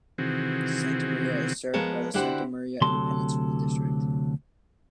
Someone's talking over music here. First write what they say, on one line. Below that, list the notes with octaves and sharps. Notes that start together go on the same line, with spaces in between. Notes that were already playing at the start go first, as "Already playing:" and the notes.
Santa Maria is served by the Santa Maria Independent School District.
C3 D#3 E3 C4 F#4 G#4
F3 G#3 B3 A#4 C#5 A5
D3 E4 F#4 G4 C5 F#5
D2 C3 F#3 A4 C6